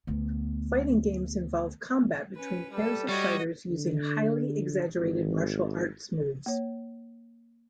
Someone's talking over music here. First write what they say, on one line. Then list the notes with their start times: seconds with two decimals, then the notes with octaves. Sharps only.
Fighting games involve combat between pairs of fighters using highly exaggerated martial arts moves.
0.07 D2 B3
2.36 C#4 B4
2.72 G3 A4 B4
3.09 G3 F#4 C#5 D#5
3.71 D3
4.98 G#1
6.46 A#3 C#5